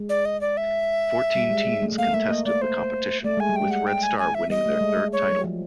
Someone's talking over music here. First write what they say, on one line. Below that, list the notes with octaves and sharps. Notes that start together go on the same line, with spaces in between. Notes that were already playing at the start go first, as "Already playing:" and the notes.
Fourteen teams contested the competition, with Red Star winning their third title.
Already playing: G#3
D5
D#5
D5
E5
G3
G#3
G#3
A3
A3
A#3 F5
A3 E5
A#3 D#5
A3 D5
C5
A3 D5
G#3 G#5
G3
G5
G#3
F#5
G5
G#5
G#5
E5
G3 D#5
A3
G#3
G#3
C#5
G3
F#3
F3